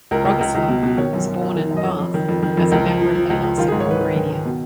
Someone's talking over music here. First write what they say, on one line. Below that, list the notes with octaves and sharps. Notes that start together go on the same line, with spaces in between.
Bogislaw was born in Barth as a member of the House of Pomerania.
C#2 A#4
C#2
C#2
C#2
B2
B2
D#3 C#5
F#2
F#2
F#2
D#3
F#2
D#5
F2 C#5
F2
D#3
F2
D#3
F2
C#2 A#4
F3
F3
F3
C#2
C#2
D#3 F4
G#4
G#2
C#5
G#2 B4
D#3 B4
D#3
D#3
B2